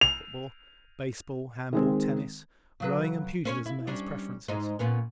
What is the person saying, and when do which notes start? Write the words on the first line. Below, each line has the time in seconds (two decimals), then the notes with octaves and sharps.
Football, baseball, handball, tennis, rowing and pugilism are his preferences.
0.01 F7
1.73 D#3 G#3 C4
2.80 C#3 F#3 B4
3.45 C#4 C5 C#5
3.66 E4
3.87 G3 C#4 D4
4.48 G#2 D#4
4.79 A#2 B3 C#4